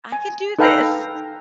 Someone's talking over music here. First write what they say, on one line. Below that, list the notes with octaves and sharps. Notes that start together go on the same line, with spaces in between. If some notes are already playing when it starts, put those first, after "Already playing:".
"I can do this."
G#5
D#4 A4 B4 F5 G5 A#5